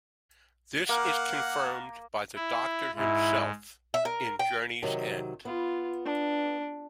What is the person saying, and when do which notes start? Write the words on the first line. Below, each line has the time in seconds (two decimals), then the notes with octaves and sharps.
This is confirmed by The Doctor himself in "Journey's End".
0.89 A#3 F5 F#5
2.36 E4
2.95 G#2 E4
3.94 E5
4.05 A#4
4.39 G5
4.83 C3 D#3 F#3
5.45 B3 F4
6.05 D4